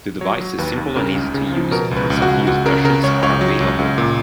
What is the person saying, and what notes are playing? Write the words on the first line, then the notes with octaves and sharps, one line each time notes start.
The device is simple and easy to use and self-use versions are available.
F#3 C#5
F#3
D#2 B4
D#2
C#3 A#4
C#2
C#3
F3
B2 A#4
C#2
B4
C#2
F#4
C#2
C#2 F#4
C#3 A#4
C#3 A#4
C#2 C#5
C#2 C#5
F#3
C#2
C#2
A#2